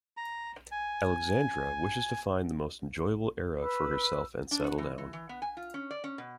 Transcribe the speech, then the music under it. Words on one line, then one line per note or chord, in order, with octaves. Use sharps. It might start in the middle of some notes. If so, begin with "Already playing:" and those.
Alexandra wishes to find the most enjoyable era for herself and settle down.
A#5
G#5
B4 B5 E6
D4
F#4
E3
E3
E3
B3
G#5
F4
C#4
D5
C#4
B2